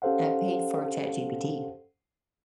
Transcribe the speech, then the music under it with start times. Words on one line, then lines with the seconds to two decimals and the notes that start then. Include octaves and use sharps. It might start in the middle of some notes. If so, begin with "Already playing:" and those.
I paid for ChatGPT
0.02 C#4 G4 A4 C5 F5 F#5